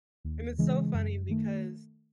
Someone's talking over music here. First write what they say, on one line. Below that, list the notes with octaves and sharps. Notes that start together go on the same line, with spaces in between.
And it's so funny because
D#2
C#3 E3 G#3
F#2
D#3 A3